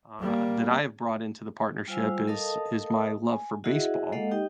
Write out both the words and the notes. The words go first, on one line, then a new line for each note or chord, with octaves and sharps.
uh, that I have brought into the partnership is is my love for baseball,
G3 A#3
G3 F4 C5 F5 G#5 E6
A4 A#4 D#5 F5 A5 D#6
G#5
E4 F#4 G#4 D#5 E5 F#5
G#3 A#3 A4 D#5 F5 F#5
D#4 G4 D#5 G5